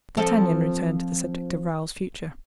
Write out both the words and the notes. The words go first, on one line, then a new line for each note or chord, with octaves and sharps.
D'Artagnan returned to the subject of Raoul's future.
F3 C4 A4